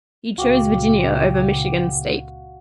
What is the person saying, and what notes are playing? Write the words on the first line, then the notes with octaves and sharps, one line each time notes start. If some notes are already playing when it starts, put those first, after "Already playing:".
He chose Virginia over Michigan State.
C#2 A#2 C#3 F#4 F5 G5 D6